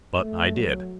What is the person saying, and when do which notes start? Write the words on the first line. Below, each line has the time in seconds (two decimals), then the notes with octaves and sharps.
But I did.
0.19 A3
0.55 F#3